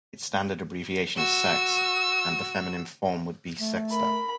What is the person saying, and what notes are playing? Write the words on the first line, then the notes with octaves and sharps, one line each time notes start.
Its standard abbreviation is Sex., and the feminine form would be Sexta.
F#4 E6
A3
A#4 B5